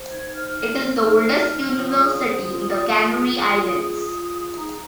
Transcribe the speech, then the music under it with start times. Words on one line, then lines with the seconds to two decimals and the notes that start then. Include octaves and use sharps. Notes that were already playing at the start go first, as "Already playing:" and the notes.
It is the oldest university in the Canary Islands.
Already playing: C5
0.10 D#4 G#6
0.34 C5 F6
0.58 C5
0.81 C5
1.04 D#4
1.27 D#4
1.51 C5
1.74 F4 D#6
1.99 G#4
2.22 C5
2.45 F4
2.69 F4
2.92 F4
3.15 G#4
3.39 F4
3.63 G#4
3.86 F4
4.09 F4
4.34 G#4
4.56 D#4 A#5